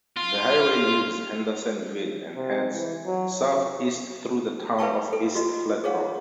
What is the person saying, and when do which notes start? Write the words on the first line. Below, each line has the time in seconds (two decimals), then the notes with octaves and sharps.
The highway leaves Hendersonville and heads southeast through the town of East Flat Rock.
0.17 F4
2.36 C3
2.73 E3
3.06 F#3
4.78 B4 E5 F5 G5 A5 C#6
5.13 A4
5.35 F4 F#4 D#5
5.84 G#4 C#5 F5 F#5